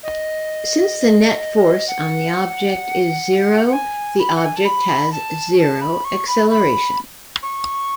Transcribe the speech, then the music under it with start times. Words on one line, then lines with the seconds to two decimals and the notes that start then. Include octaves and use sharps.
Since the net force on the object is zero, the object has zero acceleration.
0.03 D#5
1.88 F#5
3.66 F#5
3.73 G#5
4.19 B5
4.35 F#5
4.45 G#5
4.56 A5
4.65 B5
5.12 A5
5.58 A5
5.81 B5
6.04 C#6
6.27 B5
6.50 B5
7.42 C#6